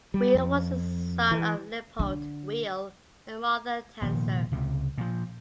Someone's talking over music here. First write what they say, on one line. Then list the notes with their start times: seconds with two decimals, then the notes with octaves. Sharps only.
Weil was the son of Leopold Weil and Martha Tanzer.
0.14 G3
0.34 F2
1.31 E3
1.99 D3
4.02 F1 A#2 D#3 F3
4.52 C#2 C3
4.98 A#2 F3